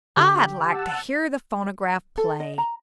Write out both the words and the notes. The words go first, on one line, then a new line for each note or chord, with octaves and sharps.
"I'd like to hear the phonograph play."
D3 G4
F#5 A5 E6
A4
D#5
A#5